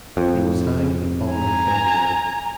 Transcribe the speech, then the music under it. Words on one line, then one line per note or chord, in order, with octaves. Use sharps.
He was hanged the following February.
F2
G#5 A#5